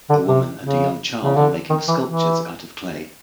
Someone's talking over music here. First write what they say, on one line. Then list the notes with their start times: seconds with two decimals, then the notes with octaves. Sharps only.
A woman and a young child are making sculptures out of clay.
0.09 D3
0.28 C3
0.64 C#3
1.24 C#3
1.35 D3
1.70 D#3
1.88 E3
2.06 E3